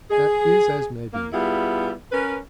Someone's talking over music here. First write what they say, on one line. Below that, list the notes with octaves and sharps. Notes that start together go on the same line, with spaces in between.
"That is as may be."
G#4
A#3
G3 B3 E4 F4 G#4
C#4 A#4 B4